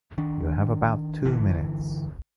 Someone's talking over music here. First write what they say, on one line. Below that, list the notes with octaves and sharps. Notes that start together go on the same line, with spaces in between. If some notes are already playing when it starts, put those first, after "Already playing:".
You have about two minutes.
D#3 D4
G1 D3 E3